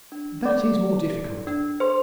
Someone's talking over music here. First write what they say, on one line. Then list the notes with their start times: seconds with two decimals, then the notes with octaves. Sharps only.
"That is more difficult."
0.12 D4
0.45 A4 D5 D6
0.79 A4
1.13 A4
1.47 D4
1.80 A4 C5 C6